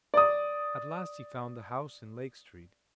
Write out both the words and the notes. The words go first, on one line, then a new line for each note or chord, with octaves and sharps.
At last he found the house in Lake Street.
D5 D#6